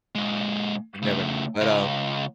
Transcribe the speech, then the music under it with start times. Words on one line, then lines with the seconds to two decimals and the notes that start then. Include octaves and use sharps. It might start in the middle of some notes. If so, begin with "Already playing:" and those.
You never know. But, um
0.15 A#2 G#3
1.02 C#3 A3
1.61 C#2